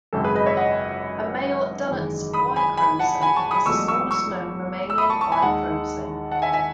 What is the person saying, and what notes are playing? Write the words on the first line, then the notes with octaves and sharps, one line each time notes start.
A male dunnart's Y chromosome is the smallest known mammalian Y chromosome.
G#1 F#2 C#3 A4
G#4 B4
B4 D#5
C#5 E5
D#5 F#5
F#1 E2 D#3 G#3
B5 D#6
G#5 B5
G#5 B5
F#5 A5
G#5 B5
A5 C#6
B5 D#6
E1 E2 B2 F#3 A3 C#6 E6
C#6 E6
C#6 E6
E6
B5 D#6
A5 C#6
A5 C#6
G#5 B5
D#2 D#3 G#3 F#5 A5
F#5 A5
E5 G#5
E5 G#5